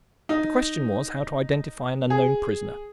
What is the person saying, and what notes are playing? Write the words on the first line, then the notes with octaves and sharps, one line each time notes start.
The question was how to identify an unknown prisoner.
D#4
G#4